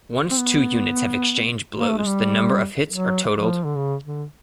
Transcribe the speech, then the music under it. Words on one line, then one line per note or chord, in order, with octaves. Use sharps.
Once two units have exchanged blows the number of hits are totalled.
C4
B3
A#3
A3
G#3
G3
F#3
F3
D3
C#3
D3